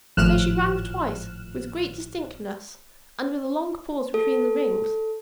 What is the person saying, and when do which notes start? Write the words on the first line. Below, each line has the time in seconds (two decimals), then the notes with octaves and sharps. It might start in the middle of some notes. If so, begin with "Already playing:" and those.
So she rang twice; with great distinctness, and with a long pause between the rings.
0.17 G#1 A2 F3 F6 F#6 E7
4.14 A4